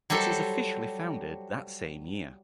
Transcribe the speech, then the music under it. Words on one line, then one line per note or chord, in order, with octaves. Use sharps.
It is officially founded that same year.
F#3 G3 G4 A4 C5